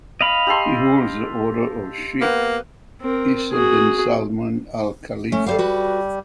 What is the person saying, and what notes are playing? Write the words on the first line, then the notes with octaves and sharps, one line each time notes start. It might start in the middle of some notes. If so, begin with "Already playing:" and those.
He holds the Order of Sheikh Isa bin Salman Al Khalifa.
D#5 F5 B5
G4 A4 C6
A#3 B3
C4 A#4
F#4 G#4
A3 C#4
G3 A4 C5 F5
F#4 B4